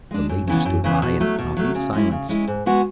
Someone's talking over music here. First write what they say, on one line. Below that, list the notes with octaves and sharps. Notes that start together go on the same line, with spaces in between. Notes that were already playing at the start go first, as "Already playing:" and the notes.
The lady stood by in haughty silence.
G#3 D4
F#2
C#3 E3 B3
F#2
C#3 E3 B3
B2
F#3 A3
B2
F#3 A3
C#3
G#3 C#4 E4
C#3
G#3 C#4 E4
G#2
G#3 B3 F#4